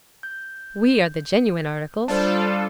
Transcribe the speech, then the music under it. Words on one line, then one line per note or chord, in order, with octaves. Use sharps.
"We are the genuine article."
G6
G3 D4 F4 A4 C5 D5 A5